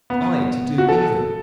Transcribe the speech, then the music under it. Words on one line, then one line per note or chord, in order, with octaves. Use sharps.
I, to do evil!
B3
F#4
A4